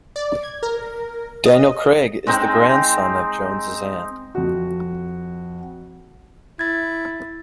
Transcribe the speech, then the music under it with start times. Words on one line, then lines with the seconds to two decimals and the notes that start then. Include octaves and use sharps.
Daniel Craig is the grandson of Jones's aunt.
0.16 D5
0.43 G#6
0.63 A#4
1.46 D#5
2.27 G#3 C4 D#4
4.35 F2 F#4
6.59 E4 G#6 A6